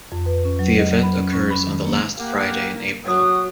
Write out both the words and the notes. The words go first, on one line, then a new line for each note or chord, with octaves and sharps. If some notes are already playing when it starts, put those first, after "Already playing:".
The event occurs on the last Friday in April.
F2
B4
C#4
F#3
D#5
F#3
B5
C#4
C#4
B5
D#3
A#3
A#3 G4 F5 F#5
F#3 F#4 D#6